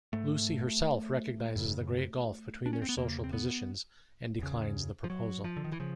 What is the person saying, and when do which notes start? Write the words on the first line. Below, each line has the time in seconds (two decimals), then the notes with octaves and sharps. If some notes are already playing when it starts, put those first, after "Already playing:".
Lucy herself recognises the great gulf between their social positions and declines the proposal.
0.13 G#2 A3
1.56 F#2 C#3
2.66 D4
2.73 C#4
2.82 C4
2.89 B3
2.97 E2 C#3 A#3
3.24 C4
3.33 B3
4.39 E2 C#3
5.04 F3
5.10 F#3
5.44 F3
5.57 D3
5.64 D#3
5.72 E3
5.80 C#3 F3